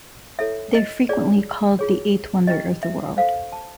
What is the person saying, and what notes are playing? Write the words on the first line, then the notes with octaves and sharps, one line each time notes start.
They are frequenty called the "Eighth Wonder of the World".
E4 A4 C#5 E5
D#5
F4 G#4 C#5 D5
F4 G#4 C#5
C#4 E4 G4 B4 D#5
E5
F4 A4 C5 F5
A5